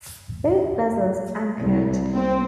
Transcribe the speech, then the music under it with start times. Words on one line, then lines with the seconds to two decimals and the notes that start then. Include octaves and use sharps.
Both vessels anchored.
1.59 C2
2.14 C4